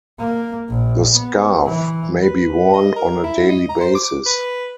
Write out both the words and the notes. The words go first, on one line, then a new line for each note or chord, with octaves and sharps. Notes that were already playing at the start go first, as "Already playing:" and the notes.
The scarf may be worn on a daily basis.
A#3
A#1
B3
E3
B4
D#5
A#4
E4
D#5
A#5
C5
D6
B4